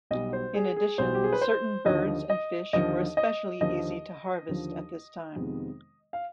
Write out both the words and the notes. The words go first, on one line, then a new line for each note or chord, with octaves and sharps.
In addition, certain birds and fish were especially easy to harvest at this time.
B1 B2 G3 D#5
C5
G#4
G#4
B1 B2 G3 C5
G4
G#4
B4
C5
D#2 D3 F3 D#5
D#5
D#2 D3 F3 D#5
D#5
D#2 D3 F3 D#5
D#2 D3 F3
F2 C3 D#3 G#3 B3
F5